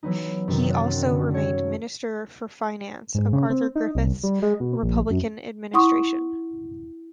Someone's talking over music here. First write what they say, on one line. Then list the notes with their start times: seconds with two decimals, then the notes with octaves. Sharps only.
He also remained Minister for Finance of Arthur Griffith's republican administration.
0.03 E3 F#3 B3 D#4
0.48 F#2 C3 D#3
0.70 F#6 A6
0.85 C4
1.04 D3
1.33 A3 C#5
3.15 G#2
3.33 C#3
3.50 C4
3.75 D#4
3.95 C2
4.23 G3
4.42 G#3
4.60 B2
4.82 A#1
5.10 F#2
5.74 E4 F#5 C6 C#6 D#6